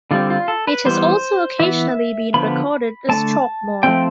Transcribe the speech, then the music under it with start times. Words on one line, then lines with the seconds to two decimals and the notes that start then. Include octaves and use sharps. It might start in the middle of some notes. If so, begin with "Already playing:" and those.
It has also occasionally been recorded as "Chalkmore".
0.11 D3 G3 C4 F4
0.30 F4
0.48 A4
0.67 B4
0.85 E3 G3 B3 C5
1.60 E3 B3 E5
2.34 D3 F3 B3 B5
3.09 D3 A3 C4 A5
3.83 F3 A3 C4 G5